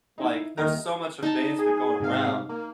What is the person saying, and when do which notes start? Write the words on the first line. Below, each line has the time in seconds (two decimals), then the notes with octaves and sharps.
Like, there's so much advancement going around,
0.18 D#4 E4
0.57 D#1 D#3 E5 A#5
1.23 D#4 A5
1.59 G#4
2.00 G#2 C3 F5
2.49 A#3